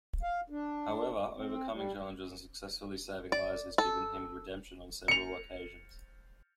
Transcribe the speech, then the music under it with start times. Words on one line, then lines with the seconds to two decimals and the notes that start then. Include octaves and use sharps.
However, overcoming challenges and successfully saving lives has given him redemption on several occasions.
0.23 F5
0.50 D4
1.37 C4
1.72 G3
3.32 D5
3.78 A4
5.08 C#7 F7